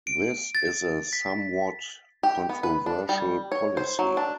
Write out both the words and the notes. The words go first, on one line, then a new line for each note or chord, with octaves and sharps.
This is a somewhat controversial policy.
D7
A6
B6
G4
B3
B4
D4
G3
C#5
C5
F#3
D4